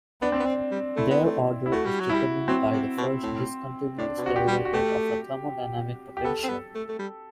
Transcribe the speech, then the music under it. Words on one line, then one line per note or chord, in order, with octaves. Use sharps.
Their order is determined by the first discontinuous derivative of a thermodynamic potential.
B3 D4
C4
B3
C4 D4
G3
A3 E4
B3
A3
E4
A3 F#4
G3
F#3
G3 E4
F#3 C4
C3
B2
A2
A2 D4
B2
C3
F#4
G4
G3
F#4
A3 G4
G4
B3 A4
C4
B3
A3
A3
G3